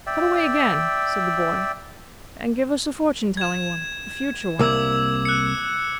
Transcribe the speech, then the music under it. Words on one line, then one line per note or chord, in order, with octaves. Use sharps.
'Cut away again,' said the boy, 'and give us a fortune-telling one; a future one.'
D5 E5 G5
G#6 E7
C2 A#3 D6 E6 G#6
F#6 C#7